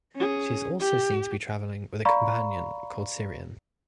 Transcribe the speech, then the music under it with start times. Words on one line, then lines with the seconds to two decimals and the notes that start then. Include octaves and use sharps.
She is also seen to be travelling with a companion called Cyrian.
0.16 C#4 G#4
0.80 G4
2.05 D5 F5 A#5 B5 C#6